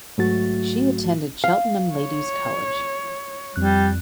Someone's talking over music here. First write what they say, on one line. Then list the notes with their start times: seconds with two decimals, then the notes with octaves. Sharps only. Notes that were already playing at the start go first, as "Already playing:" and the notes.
She attended Cheltenham Ladies’ College.
0.18 G#2 F#3 A3 F#4 A6
1.44 F5
1.95 C#5
3.56 F2 G3 F#6